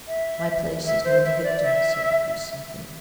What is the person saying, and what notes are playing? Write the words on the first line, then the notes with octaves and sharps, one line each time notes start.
"My place is near the victims," said the priest, simply.
E5
E5
C5
E5
D5
E5